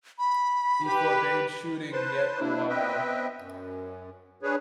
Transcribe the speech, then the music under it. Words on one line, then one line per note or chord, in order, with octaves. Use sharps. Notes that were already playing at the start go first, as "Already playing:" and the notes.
He forbade shooting yet awhile.
B5
G4 B4
B4 C5 A5 C6
A#3 D4 E4
B3 C4 B4 D#5 E5 G5
F#2
D4 G#4 B4 C#5